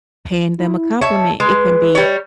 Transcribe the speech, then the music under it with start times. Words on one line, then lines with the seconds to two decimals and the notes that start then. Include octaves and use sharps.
paying them a compliment. It can be
0.58 E4
1.01 C#5 E5 A5
1.40 G#3 B4
1.95 G3 C#5